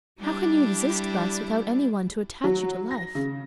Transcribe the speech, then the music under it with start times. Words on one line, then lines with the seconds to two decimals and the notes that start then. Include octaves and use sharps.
"How can you exist thus without any one to attach you to life?"
0.18 G3 D4 E4 G4
2.44 F#3
2.91 A#6
3.15 C#3